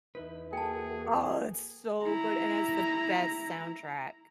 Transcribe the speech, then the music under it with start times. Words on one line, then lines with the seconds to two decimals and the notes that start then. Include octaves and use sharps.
Oh, it's so good and has the best soundtrack.
0.15 E2 D#4 E4 B4
0.53 A#3 F#4 G#4 A4 G5 A5
2.05 E4 A#5